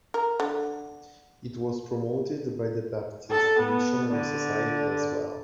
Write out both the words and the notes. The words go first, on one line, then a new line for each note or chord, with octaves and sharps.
It was promoted by the Baptist Missionary Society as well.
A#4
D3
A4
B3
D3